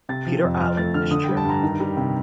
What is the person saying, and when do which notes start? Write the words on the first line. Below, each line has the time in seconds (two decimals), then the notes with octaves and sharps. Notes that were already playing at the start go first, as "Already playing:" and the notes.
Peter Allen is chairman.
0.09 C3 A6
0.26 F3
0.44 F2
0.60 F3 F6
0.77 A3 A6
0.94 D3 F6
1.11 D3 D#6
1.24 G5
1.29 G3
1.37 A5
1.45 G2 A#5
1.63 D#3
1.80 G3
1.97 C3